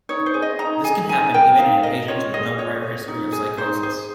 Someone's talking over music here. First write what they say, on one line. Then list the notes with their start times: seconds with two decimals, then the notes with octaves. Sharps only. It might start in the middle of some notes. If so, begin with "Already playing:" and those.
This can happen even in patients with no prior history of psychosis.
0.09 D#4 C#5
0.26 C5
0.34 G#4
0.42 D#5
0.59 D#4 A#5
0.84 G#4 G#5
1.09 D#4 G#5
1.34 A#4 G5
1.59 D#4 F5
1.83 A#4 D#5
2.08 F4 C#5
2.34 G#4 D#5
2.58 F4 C#5
2.84 G#4
3.08 D#4
3.32 G#4
3.57 D#4 C5
3.83 G#4 C5